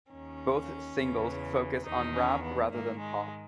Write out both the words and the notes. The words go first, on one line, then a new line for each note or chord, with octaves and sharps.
Both singles focused on rap rather than pop.
D#2 D#3 C#4
E2 C#3 E3
E2 D#3 D#4
C#4
B3
G#2 D#3 A#3
G#3